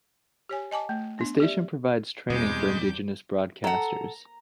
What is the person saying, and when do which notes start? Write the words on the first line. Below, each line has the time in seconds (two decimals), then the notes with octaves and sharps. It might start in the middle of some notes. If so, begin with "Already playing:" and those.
The station provides training for indigenous broadcasters.
0.49 G4 C#5 G#5
0.71 D#5 G#5 A5 D6
0.89 A3
1.19 B3 D4
1.40 G4 D5 E5
2.30 E2 B2 G3 G#3 B3 C4 D6 G6
3.64 A4 F#5 A#5